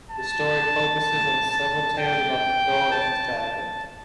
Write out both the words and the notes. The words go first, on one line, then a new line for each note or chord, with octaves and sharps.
The story focuses on several tales about McDull and his childhood.
A5
A5
G5
A5
A5